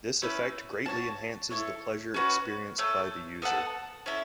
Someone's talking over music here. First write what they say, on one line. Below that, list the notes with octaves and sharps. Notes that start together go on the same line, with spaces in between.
This effect greatly enhances the pleasure experienced by the user.
A3 C#4 E4 B4
F#4 C#5 A5
E4 A4 C#5
C#4 F#4 B4
A3 C#4 A4
B3 A4 F#5 A5
C#4 E4 A4